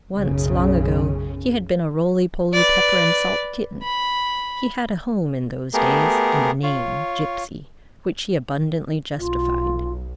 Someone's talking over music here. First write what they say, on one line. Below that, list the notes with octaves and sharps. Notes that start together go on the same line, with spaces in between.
Once, long ago, he had been a roly-poly pepper-and-salt kitten; he had a home in those days, and a name, "Gipsy," which he abundantly justified.
B1 F#2 C#3
B4 D5
B5
A3 B3 G4 G#4 A#4
F4 C#5
B1 F4